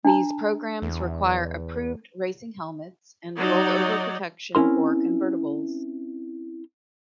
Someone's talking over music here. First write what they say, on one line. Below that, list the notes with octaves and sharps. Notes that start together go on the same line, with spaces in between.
These programs require approved racing helmets and rollover protection for convertibles.
D4 A5 A#5
E2
F#3 D#4 D5
C4 C#4 E4 A#4 C6